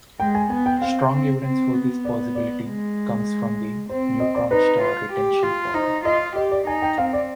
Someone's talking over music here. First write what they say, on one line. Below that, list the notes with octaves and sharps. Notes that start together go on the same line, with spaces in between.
Strong evidence for this possibility comes from the "neutron star retention problem".
G#3 G5
G#5
B3 G#5
G5
C4 F5
C4
C4
B3
D5
D5
G#3
C4 C5
D#5
D5
D#4 B4
F4
G4
F4
D#4 C5
F4 D#5
G4 D#5
D5
D#4 G#5
G5
C4 F5
D5